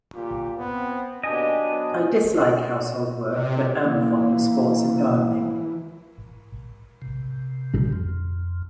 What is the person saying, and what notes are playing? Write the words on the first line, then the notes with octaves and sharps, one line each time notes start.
I dislike household work, but am fond of sports and gardening.
A#2 F4 G4
B3 C4
D#2 B2 D4 G4 D#5 G#5
F#3 B3
C3
E3 A#3
C3
F2